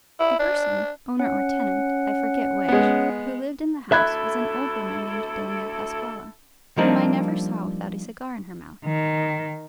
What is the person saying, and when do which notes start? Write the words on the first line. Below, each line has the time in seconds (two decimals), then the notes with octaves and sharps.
The person--owner or tenant, I forget which--who lived in the house was an old woman named Dona Pascuala, whom I never saw without a cigar in her mouth.
0.19 E4
0.39 D4
1.19 C#4 F#5
2.68 G#3 B3
3.92 D2 E4 A4 E5 B5 F#6 G#6
6.77 F3 G3 A#3 C4 D4 D#4
8.85 D#3